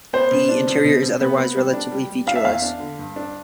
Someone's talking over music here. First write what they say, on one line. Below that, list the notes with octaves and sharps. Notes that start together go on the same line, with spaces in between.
The interior is otherwise relatively featureless.
B3 C5
B2
D4
B2
B2
B2
B3
B3
G3
D4
G3
G3
D4 F5
E5
E2 F5
D4
D3
G2
D4